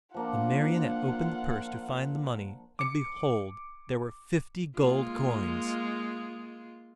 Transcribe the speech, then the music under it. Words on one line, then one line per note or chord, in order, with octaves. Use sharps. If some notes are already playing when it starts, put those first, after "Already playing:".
The Marionette opened the purse to find the money, and behold--there were fifty gold coins!
F3 A#3 D4 F4 F#5
D6 C#7
G#3 A#3 F4